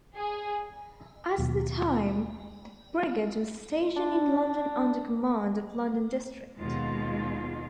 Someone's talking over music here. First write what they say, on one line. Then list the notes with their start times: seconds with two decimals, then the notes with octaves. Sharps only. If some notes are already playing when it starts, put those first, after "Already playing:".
At the time, the brigade was stationed in London under command of London District.
0.16 G#4
1.38 D#2 B2 F#3
3.97 D4
6.59 D#2 B2 G#3 F4